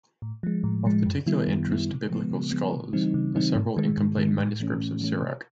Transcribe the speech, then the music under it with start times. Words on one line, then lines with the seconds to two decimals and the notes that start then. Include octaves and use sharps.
Of particular interest to biblical scholars are several incomplete manuscripts of Sirach.
0.22 A2
0.43 F3 G#3
0.64 A2
0.85 F3 G#3
1.06 F#2
1.26 D#3 G3 B3 E4
1.47 F#2
1.69 D#3 G3 B3 E4
1.89 C#3
2.09 F3 G#3 B3
2.31 C#3
2.51 F3 G#3 B3
2.72 C#3
2.93 E3 G3 C4 D#4
3.14 C#3
3.35 E3 G3 C4 D#4
3.55 G#2
3.76 D#3 G#3
3.97 G#2
4.18 D#3 G#3
4.39 A2
4.60 E3 A3 C#4
4.81 A2
5.01 E3 A3 C#4
5.22 C3